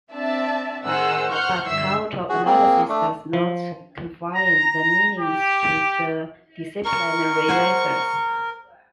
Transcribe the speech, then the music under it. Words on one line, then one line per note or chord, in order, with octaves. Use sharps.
But cultural analysis does not confine the meanings to the disciplinary methods.
C4 D4 D5 E5 A5
A2 D#3 G#4 C5 F#5 E6
C5 F#5 C#6 F6 G6
G2 D3 E5 E6 C7
F#4 G#4
A#3 C4 G#4
A3 D4
F3
A#5
G4
A#4 C#6
C5 F#5 G#5